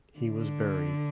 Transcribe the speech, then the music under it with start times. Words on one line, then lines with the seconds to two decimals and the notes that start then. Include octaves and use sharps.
He was buried.
0.19 D3